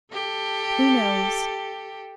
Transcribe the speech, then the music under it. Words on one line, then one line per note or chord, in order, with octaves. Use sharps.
"Who knows?"
G4 A4